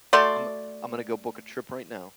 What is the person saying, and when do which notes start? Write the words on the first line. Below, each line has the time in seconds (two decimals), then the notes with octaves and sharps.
I'm I'm gonna go book a trip right now.
0.13 A3 F#4 D5 C6